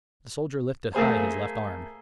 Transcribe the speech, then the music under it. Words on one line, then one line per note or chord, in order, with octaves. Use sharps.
The soldier lifted high his left arm.
A3 A#3 G#4 C5